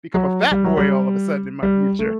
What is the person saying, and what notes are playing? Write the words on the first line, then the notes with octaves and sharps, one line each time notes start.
become a fat boy all of a sudden in my future.
F#3
G3
F#3
G3
G3
A3